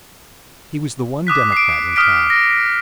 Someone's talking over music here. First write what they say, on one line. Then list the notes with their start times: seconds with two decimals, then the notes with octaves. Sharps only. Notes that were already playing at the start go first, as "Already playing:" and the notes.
He was the one democrat in town.
1.27 D6 D#6 F#6 B6
1.52 C7 D7
1.96 D#6 F6 B6 D7
2.30 A#6